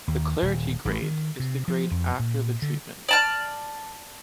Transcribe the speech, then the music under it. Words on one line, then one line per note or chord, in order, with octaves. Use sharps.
The clarity grade is the grade after the treatment.
D#2
D#1
A1
D#3
C3
F3
F2
A#2
D3
D5 A5 F6